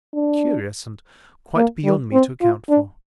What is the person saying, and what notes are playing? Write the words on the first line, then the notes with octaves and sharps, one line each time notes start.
Curious, and quite beyond me to account for.
D4
A#3
G3
C4
F4
D4